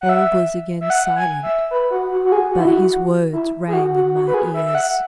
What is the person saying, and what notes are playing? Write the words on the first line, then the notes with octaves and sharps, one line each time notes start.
All was again silent, but his words rang in my ears.
F#5
E5
E5
F#5
G#5
E5
B4
F#4
F#4
F#4
G#4
F#4
E4
F#4
E4
G#4
F#4
F#4
F#4
B4
G#4
E5
E5
F#5